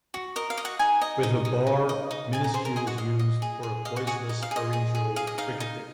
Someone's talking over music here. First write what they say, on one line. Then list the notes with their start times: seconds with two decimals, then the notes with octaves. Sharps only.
With a bar, minuscule is used for a voiceless pharyngeal fricative.
0.14 F#4
0.36 A#4 D#5
0.50 F5
0.58 D#5
0.65 F#4 F#5
0.79 D#4 G#4 G#5
1.01 D#5
1.23 D#4
1.45 D#4
1.67 D#4
1.89 D#5
2.11 D#4
2.33 G#4 G#5
2.44 A#5
2.54 G#4 C5 C6
2.65 A#4 A#5
2.76 G#4 D#5 G#5
2.87 F#4 F#5
2.98 D#5 F5
3.19 D#5
3.42 G#4
3.63 G#4
3.85 D#5 F5
3.96 F#4 F#5
4.07 F#4 G#4 F#5
4.29 D#4 D#5
4.43 F5
4.51 G#4 D#5
4.73 G#4
4.95 G#4
5.16 G#4 F5
5.27 D#5
5.38 D#4 F5
5.60 D#4